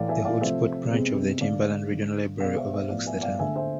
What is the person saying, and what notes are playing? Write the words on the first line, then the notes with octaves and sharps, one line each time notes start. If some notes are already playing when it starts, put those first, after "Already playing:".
The Hoodsport branch of the Timberland Regional Library overlooks the town.
Already playing: A2 E3 A3 D5 F5
E5 G#5
D5 F5
C3 F3 A3 C5 E5
C3 G#3 B3
D3 A3 D5 F5
D3 A3
B2 G#3 B3 D5 F5
C5 E5
C5 E5
A2 F3 B3 D5 F5
E5 G#5
D5 F5
D3 A3 E5 G#5
C5 E5